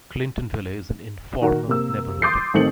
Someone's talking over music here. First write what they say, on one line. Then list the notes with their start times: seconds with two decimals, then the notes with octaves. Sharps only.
Clintonville is an informal neighborhood.
1.41 D#3 F#4 A#4
1.68 C3 A#3 E6
2.22 C6 D6 D#6 G6 A6 C7
2.54 A1 D#3 A3 C4 C#7 F#7